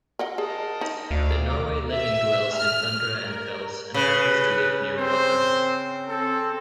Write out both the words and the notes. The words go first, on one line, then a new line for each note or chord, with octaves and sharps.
The Norway lemming dwells in tundra and fells, and prefers to live near water.
A#4 D#5 F#5
G#4 A#4 D#5 A5
D#4
D2 D4 F5
A#5 D6
E5
F6
A#4
C#3 B4
C4 C5
C4 A4